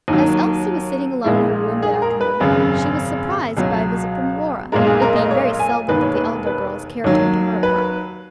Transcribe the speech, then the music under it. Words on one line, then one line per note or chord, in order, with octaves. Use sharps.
As Elsie was sitting alone in her room that afternoon she was surprised by a visit from Lora; it being very seldom that the elder girls cared to enter her apartment.
D#2 D#3 F#3 D#4
A#1 A#2 G#3 E4
G#4
A#4
B4
G#1 F#2 C#3
C#2 B2 F#3
B1 A#2 G#3 A#4
G#4
A#4
D#5
C#5
G#5
E1 D#2 D#3 B4
C#5
B4
B4
D#2 D#3 F#3 C#5
B4